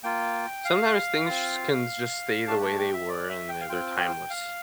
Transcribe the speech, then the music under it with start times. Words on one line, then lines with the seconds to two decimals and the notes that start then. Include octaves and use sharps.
Sometimes things sh can just stay the way they were and th they're timeless,
0.03 A#3 F4 G5
0.65 F5
1.25 C4 F4
2.47 A3 D4 G4 A5
2.63 A5
2.78 G5
2.93 E5
3.08 D5
3.29 E5
3.49 G5
3.61 F5
3.69 C4 F4 G5
4.00 G5
4.30 F5